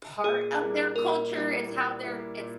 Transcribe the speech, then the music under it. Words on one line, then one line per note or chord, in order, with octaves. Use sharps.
part of their culture, it's how they're it's
A#2 G#4
G3 A#3 E4
A#2 A#4
G3 A#3 E4
A#2
G3 A#3 E4
A#2